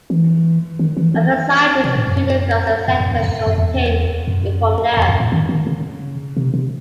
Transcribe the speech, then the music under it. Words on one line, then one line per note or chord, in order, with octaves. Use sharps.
Other scientists, including those at Cetus, obtained it from there.
E3
D#3
E3
E3
C3
A2
F#2
F#2
F#2
E2
F#2
F#2
E2
F#2
E2
F#2
A2
D#3
D#3
C#3
C3
C3